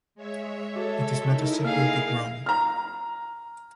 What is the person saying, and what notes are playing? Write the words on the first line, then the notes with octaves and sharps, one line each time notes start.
It is not a sequel to "Wrong".
G#3 C#5 E5
F#4 A4
D#4 E4 A#4
A#3 G#4 F5
A#5 F6